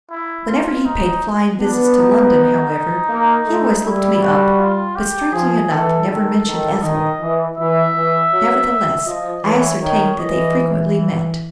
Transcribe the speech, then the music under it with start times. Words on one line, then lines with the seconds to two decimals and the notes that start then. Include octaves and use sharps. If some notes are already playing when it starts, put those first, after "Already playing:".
Whenever he paid flying visits to London, however, he always looked me up, but, strangely enough, never mentioned Ethel. Nevertheless, I ascertained that they frequently met.
0.11 E4
0.48 F4
0.86 D#4
1.60 B3 D4
1.98 D#4
3.09 A#3
3.46 A3
3.84 G3 E4
4.21 F#4
4.59 F4
4.96 G4
5.33 F3 G#4
5.71 E3 A4
6.08 D#3 A4
6.46 D#3
6.82 D#3 D#5
7.20 E3
7.57 E3 E5
7.94 E3
8.32 F#3
9.07 F3 D#5
9.44 E3 C#5
9.81 D#3 C#5
10.19 E3 D#5